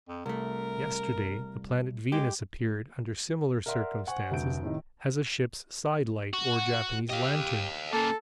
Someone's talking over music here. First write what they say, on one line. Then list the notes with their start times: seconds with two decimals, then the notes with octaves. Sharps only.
Yesterday the planet Venus appeared under similar circumstances as a ship's side-light or Japanese lantern.
0.09 F2
0.26 C2 A3 A#4
2.12 G#3 G4
3.66 A#4 D5 E5 F#5 C6
4.07 C5 F#5 G#5 C#6
4.31 F1 D2 F#3 F#4 G6 D7
4.63 A2 C3 D#3 D#4
6.33 F#4
7.09 G4 D#5 F5
7.93 C#3 A#3 A4